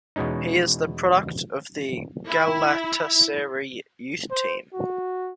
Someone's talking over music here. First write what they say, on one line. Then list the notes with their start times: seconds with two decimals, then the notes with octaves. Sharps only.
He is a product of the Galatasaray Youth Team.
0.16 E2 B2 G#3 C#4 D#4
2.28 E4
4.31 C5
4.74 F#4